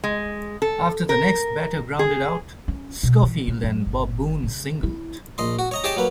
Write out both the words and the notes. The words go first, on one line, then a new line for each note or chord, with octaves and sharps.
After the next batter grounded out, Schofield and Bob Boone singled.
G#3
A4
A#4
G#4
C#4
B2
E3
C#3
F#2
G1
C#3
E4
A#1 D#5 C6
F#4
C#5 D#5 A#5
G4 G#4 C#5 D#5 G5 A5
F#3 A#3 B4